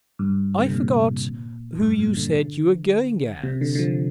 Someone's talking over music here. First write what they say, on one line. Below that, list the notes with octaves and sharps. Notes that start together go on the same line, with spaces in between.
"I forgot who you said you were going as?"
G2
D3
C3
A#2
F2
G2
A#2
D3
C3
D3
D3
F3